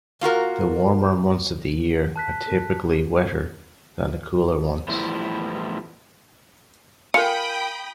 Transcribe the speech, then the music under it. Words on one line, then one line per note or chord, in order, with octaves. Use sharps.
The warmer months of the year are typically wetter than the cooler ones.
A#3 F4 F#4 A#4
A5 F#6 B6
E2 A2 E3 F3 G3 E4
F4 A#4 F5 G5 G#5 B5 D#6 C#7